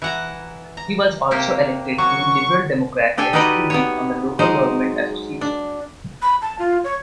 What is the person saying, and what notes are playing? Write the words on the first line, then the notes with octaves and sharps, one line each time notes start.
He was also elected to the Liberal Democrat executive on the Local Government Association.
E3 F#5 A#5
A#5
C3 A#3 G4
F#3 C#6
D4 G4 A4 G5 G#5
D#4 F#4 G4 B4 D5 D#5
B3 C#5
F#3 G#3 D#4 C5
D4
B5
A5
F4
C#5